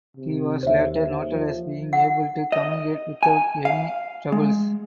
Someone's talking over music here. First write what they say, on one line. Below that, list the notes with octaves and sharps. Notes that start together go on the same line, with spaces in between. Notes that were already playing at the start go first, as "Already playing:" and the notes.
He was later noted as being able to communicate without any troubles.
C3
D#2 C5 C#5 E5
F3
F#5
D#5
G#5
F5
G#3